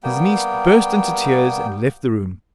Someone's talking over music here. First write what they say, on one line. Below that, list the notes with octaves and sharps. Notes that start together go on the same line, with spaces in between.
His niece burst into tears and left the room.
G3 A#3 B3 G5